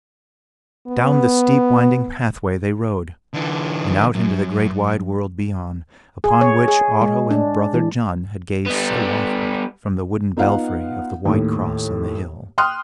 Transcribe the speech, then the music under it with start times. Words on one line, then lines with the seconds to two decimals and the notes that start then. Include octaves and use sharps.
Down the steep winding pathway they rode, and out into the great wide world beyond, upon which Otto and brother John had gazed so often from the wooden belfry of the White Cross on the hill.
0.87 B3
3.34 D3 E3
4.15 F#2
6.24 G#4
6.41 C#5
6.68 G#4
7.01 G#3
7.31 D4
7.74 E3
8.66 G3 B3
10.37 B3 D#4 F4 F5 F#5
11.26 D#2 A2
12.58 G5 C6 D#6 F6 F#6